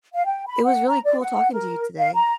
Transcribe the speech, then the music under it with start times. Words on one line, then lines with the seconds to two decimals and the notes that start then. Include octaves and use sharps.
it was really cool talking to you today,
0.13 F5
0.26 G5
0.47 B5
0.64 F#5
0.88 A#5
1.05 D5
1.20 F#5
1.53 A#4
1.99 F5
2.15 A#5